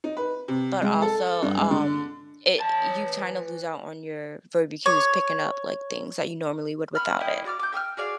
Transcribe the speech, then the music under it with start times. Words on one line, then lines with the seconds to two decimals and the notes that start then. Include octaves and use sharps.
but also, um, it you've trying to lose out on your verbal cues picking up, like, things that you normally would without it.
0.04 D#4
0.17 B4
0.48 C3
0.82 G#3
1.02 A4
1.42 G2
1.58 G#3
1.71 D3
2.60 E3 A5
4.86 C#5
6.95 B3 B5 F6
7.20 A#3 E4 D#5 G5
7.45 F#4 D5 D6 F6
7.59 D6 G6
7.72 E5 G5 D#6 F6
7.97 F#4 G#4 D5 F5